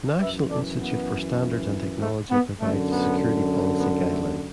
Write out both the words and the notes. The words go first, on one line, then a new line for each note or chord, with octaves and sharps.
National Institute for Standards and Technology provides a security-policy guideline.
F#2 E3 B4 E5
A4 D5
B3
A3
B3
F#2 D3 A3
B3
B3
A3